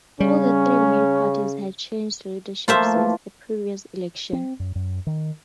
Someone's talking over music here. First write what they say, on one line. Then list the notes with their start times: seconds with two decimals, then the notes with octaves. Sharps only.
All the three main parties had changed leadership since the previous election.
0.20 C#3 G3 C#4
2.68 F3 A3 A#3 F4 C5 E5
2.93 E3
4.33 C4
4.60 F#2
4.75 F#2
5.07 D#3